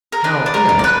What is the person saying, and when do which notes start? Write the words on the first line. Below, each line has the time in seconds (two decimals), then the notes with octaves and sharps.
"How ill?"
0.12 A#4
0.24 D4 B4
0.46 D4
0.54 A#4
0.69 D4
0.79 D5
0.84 B4